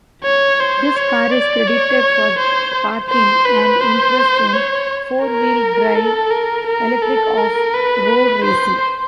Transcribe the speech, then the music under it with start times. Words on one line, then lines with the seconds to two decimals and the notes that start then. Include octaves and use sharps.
This car is credited for sparking an interest in four-wheel-drive electric off-road racing.
0.24 C#5
0.60 C5
0.96 C#5
1.31 D5
1.67 C#5
2.39 C5
3.10 C5
3.45 B4
3.81 C5
4.53 C#5
5.23 A#4
5.95 A4
6.31 A#4
6.67 A#4
7.02 A4
7.38 A#4
7.74 B4
8.44 C5